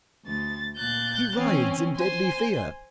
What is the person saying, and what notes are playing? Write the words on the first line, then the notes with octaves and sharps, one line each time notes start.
He writhes in deadly fear.
D2 A6
A#2 F#6 G6 A6
E3 C4 C#4
C5 G#5 C6